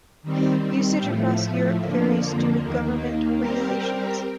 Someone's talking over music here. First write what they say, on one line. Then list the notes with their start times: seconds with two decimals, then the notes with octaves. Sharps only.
Usage across Europe varies due to government regulations.
0.23 D#3 G3 C4
1.01 A2 F3 A3
1.81 F2 D3 F3 A#3
2.59 D#2 D#3 A#3
3.38 G3 C4 G4 A#4